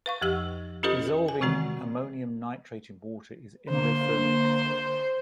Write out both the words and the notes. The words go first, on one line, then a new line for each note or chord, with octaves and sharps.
Dissolving ammonium nitrate in water is endothermic.
B4 F5 C#6
F2 F3 G4 E6
C#4 F4 G4 A4 B4 D#5
G#5
C3 D#3 E3 G#3 C4 F#4
D3 A#3 C5